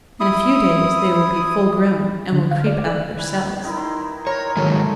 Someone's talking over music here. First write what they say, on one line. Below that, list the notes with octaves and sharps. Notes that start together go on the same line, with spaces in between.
In a few days they will be full grown, and will creep out of their cells.
E4 D#6
D3
F5
D5
F#6
E4 B4
D#3 D#4 E4
C6
A#4 C#5 A#5 C6
D#3 F#3 G#3 A3